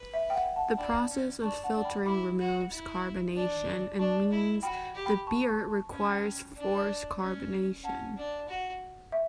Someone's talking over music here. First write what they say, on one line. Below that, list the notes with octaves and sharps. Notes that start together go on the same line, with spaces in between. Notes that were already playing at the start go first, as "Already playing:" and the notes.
The process of filtering removes carbonation and means the beer requires force carbonation.
Already playing: B4
E5
G5
F#5
F#5 A5
D4 G5 B5
C#4
D4 A5 C#6
F#5 A5
D4
G5 B5
E4 B5 D6
F#4
E4
D4
D4 A5 C#6
E4
F#4 G5 B5
G4
G5 B5
A5 C#6
A5 C#6
A5 C#6
C#4 B5
A5
G5 B5
D4
C#4
C#4 F#5 A5
D4
F#4
E5